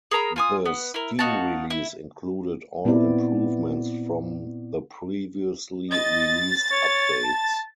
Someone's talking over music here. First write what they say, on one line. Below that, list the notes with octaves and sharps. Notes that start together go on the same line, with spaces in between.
The Steam release included all improvements from the previously-released updates.
G#4 A#4 A#5 B5
F4 G#5 D#6
B3
E4 A#4
D#4 F#4 F5 A5
E4
A#2 B3 C4 E4 D5
D#5 A6
C#5
A5